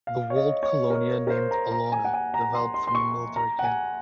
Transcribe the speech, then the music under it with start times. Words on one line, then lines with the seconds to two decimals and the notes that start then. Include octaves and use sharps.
The walled colonia named "Alauna" developed from the military camp.
0.07 F5
0.30 C#5
0.36 D#5
0.63 C#5
0.90 A#4
1.27 A#4
1.30 C5
1.51 A#5
1.71 A#5
1.92 G#5
2.04 F#5
2.13 G#5
2.34 A#5
2.54 C6
2.74 C6
2.87 C6
2.95 C#6
3.36 A#5
3.59 F#5
3.64 G#5